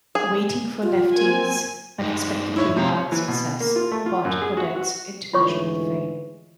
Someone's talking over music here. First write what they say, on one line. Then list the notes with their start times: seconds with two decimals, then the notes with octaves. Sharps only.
"Waiting for Lefty"'s unexpectedly wild success brought Odets international fame.
0.15 G#4
0.83 F4
1.16 A#3 C4 G#5
1.99 G2 D#4
2.56 E4 C#5
2.76 C3 F3 A3 A#5
2.97 C#5
3.12 E3
3.28 B2
3.60 A#3
3.76 F4
3.91 A3
4.06 F4
4.25 F#2
4.41 G#4
4.57 F#4
4.76 F#4
5.34 D2 G#2 E3 F4 C#5 C#6